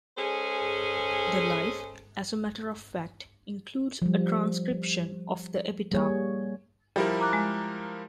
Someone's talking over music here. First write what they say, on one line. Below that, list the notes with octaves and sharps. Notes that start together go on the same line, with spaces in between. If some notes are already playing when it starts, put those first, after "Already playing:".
The "Life", as a matter of fact, includes a transcription of the epitaph.
G#3 C#4 G#4 A4 C5
F3 G3
G3 A#3 G#4 C#5
F3 G3 E4 A#4
A#5 D6 F#6
G#3